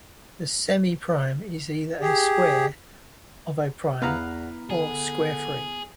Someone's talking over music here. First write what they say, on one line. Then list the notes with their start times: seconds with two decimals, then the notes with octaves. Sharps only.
A semiprime is either a square of a prime or square-free.
2.01 G4 G#4
4.02 E2 B3 E4 B4 F5 F#5 A#5
4.70 D3 G#4